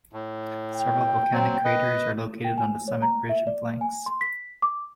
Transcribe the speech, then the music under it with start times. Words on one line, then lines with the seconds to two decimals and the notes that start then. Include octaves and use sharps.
Several volcanic craters are located on the summit ridge and flanks.
0.13 A2
0.73 G5
1.33 F#3 C4
1.65 B4 D#5
2.45 G5
2.58 G#5
2.88 C#5
3.02 A#5
3.29 E5
3.47 D5
3.81 G#5
4.06 C6
4.21 B6
4.62 D6